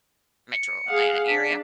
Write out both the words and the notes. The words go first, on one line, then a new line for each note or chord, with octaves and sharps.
Metro Atlanta area,
C#7
G#4 F5 F#5
D4 B6